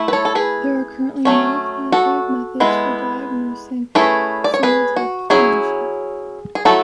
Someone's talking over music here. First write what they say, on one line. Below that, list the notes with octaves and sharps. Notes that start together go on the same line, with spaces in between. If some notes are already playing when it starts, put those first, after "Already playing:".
There are currently no quantitative methods for diagnosing simultanagnosia.
Already playing: A3 E4
B4
A4 C#5
A4
G#4 B4
F#3 A3 C#4
F#4 A4
G#3 B3 E4
A3 C#4 E4 G#4 B4
D5
C#5
G#4 B4
F#4
F#3 C#4 E4 G#4
G#4
F#3 A3 E4 F#4 A4